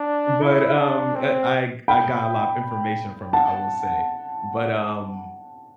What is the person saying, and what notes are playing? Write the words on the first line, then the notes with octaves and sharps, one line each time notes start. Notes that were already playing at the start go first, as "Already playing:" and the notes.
but, um, eh I g I got a lot of information from it, I will say. But, um
Already playing: D4
E4
D4
C4
G5 B5
F#5 A5